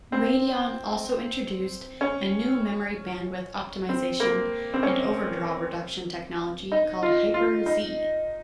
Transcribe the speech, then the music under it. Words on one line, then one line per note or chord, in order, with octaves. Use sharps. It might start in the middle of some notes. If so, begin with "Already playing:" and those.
Radeon also introduced a new memory bandwidth optimization and overdraw reduction technology called HyperZ.
C4
C#4
C4
A#3
C4
C#4
D#4
F4
F4
D#4